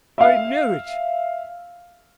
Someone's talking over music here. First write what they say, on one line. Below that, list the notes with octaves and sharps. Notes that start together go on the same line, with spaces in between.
'I knew it!
E5 F5